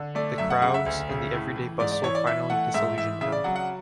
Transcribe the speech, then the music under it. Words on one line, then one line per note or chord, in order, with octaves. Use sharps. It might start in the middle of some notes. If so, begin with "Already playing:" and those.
The crowds and the everyday bustle finally disillusioned him.
Already playing: D3
A3 D5
F#2 E5
F#5
C#3 F#5
E5
D2
C#3
A2
E3
G#2 D5
D5
E3 C#5
D5
E3 E5
A3 F#5
G#2 E5
E3 E5
C#3 E5
D5
F#3 F#5
F#5